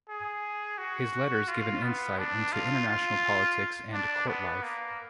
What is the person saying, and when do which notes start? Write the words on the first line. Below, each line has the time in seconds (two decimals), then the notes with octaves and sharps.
His letters give an insight into international politics and court life.
0.09 G#4
0.78 F#4
1.48 F4
1.83 B3
2.18 D4
2.53 F4
2.87 F4
3.93 D4
4.27 B3
4.63 A#3